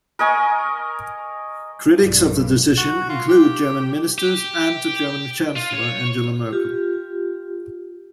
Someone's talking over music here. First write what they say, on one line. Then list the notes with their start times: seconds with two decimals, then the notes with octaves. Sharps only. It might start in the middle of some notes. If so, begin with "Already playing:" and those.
Critics of the decision include German Ministers and the German Chancellor Angela Merkel.
0.19 A#4 D#5 G#5 C#6
2.00 B1 G2
2.77 F#4
3.09 F4
3.29 G4
4.18 G4
5.56 F4
5.73 C#5
6.53 F4 G4